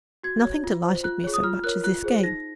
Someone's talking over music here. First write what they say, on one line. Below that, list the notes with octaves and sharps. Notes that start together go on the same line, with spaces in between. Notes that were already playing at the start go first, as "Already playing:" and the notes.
Nothing delighted me so much as this game.
F#4 G#6
C#5
F4
C5
F4 F#6
G#4 C#5
D#6
F4 F6
A#4 C#5 F#6
F4 F#6
G#4 C5
D#4 A#6